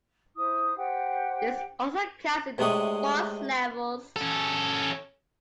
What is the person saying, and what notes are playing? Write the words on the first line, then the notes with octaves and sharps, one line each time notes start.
This also counts in the Boss levels.
E4 C5 D#6
G4 C5 F#5 G5
A2 C3 G#3 D4 C#6 D#6
C#4 A4